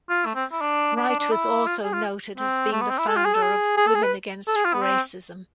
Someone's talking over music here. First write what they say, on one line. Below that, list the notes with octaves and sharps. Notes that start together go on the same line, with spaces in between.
Wright was also noted as being the founder of Women Against Racism.
F4
A3
C4
E4
D4
D4
D4
D4
E4
F4
G#4
F4
C4
A3
B3
C4
E4
A4
F4
G#4
A4
G#4
G#4
A4
G#4
B4
A4
G#4
F4
B3
C4